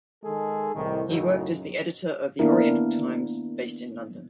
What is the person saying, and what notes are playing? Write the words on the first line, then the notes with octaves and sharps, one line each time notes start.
He worked as the editor of The Oriental Times based in London.
D#3 G#3 G#4 A4
C2 A2 D#3
F#2 A2 C#3 F#3 D#4
D#3 A#3 B3 D4 E4 A#4